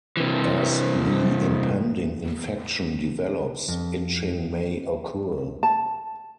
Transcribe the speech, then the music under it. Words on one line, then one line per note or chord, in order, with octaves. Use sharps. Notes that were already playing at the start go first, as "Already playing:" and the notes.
As the impending infection develops, itching may occur.
C3 E3
F2
A5